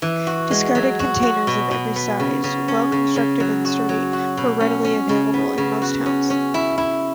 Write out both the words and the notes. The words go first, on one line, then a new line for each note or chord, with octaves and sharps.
Discarded containers of every size, well-constructed and sturdy, were readily available in most towns.
E3
F#4
G#3
F#3
F#4
F#4
B2
B2
B3
C#3
C#3
C#4
C#3
C#3
F#3
F#4
F#3
F#4
B2
C#4
C#4
C#3
B3
C#3
F#4
C#4
C#4
E4
E4